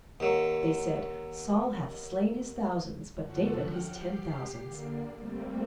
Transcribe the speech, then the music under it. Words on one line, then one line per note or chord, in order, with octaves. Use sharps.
They said, 'Saul hath slain his thousands, but David his ten thousands.'
D#2 F#3
F#2 D3 F3 F#4 A4
F#5 G5 F6 F#6
G4 C7
D3 A#3 D4
G3 A3 A#3 C4